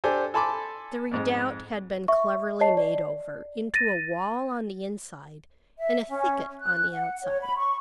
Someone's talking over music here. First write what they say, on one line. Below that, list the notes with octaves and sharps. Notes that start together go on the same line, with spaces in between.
The redoubt had been cleverly made over, into a wall on the inside and a thicket on the outside.
D4 G4 A4 C5 G#5
A4 G#5 A5 B5 C6 D6
F2 G#2
E5 C#6
C#5 D#5 A5 C7
D5
A6 A#6 D#7
E5
C#4
F#6
F#5
C#5
B5
C#6